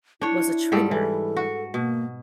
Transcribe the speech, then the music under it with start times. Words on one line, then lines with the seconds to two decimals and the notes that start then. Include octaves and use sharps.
was a trigger."
0.21 D4 E4 C#5
0.72 G#2 G3 A4
0.91 E3 A4
1.37 F#4
1.74 B2 A#3